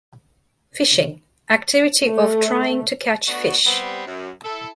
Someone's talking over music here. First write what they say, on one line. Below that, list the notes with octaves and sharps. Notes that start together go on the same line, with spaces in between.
Fishing - activity of trying to catch fish.
A3
A3 B3 D4 F#4
G3 B3 C4
F#2
E4 A4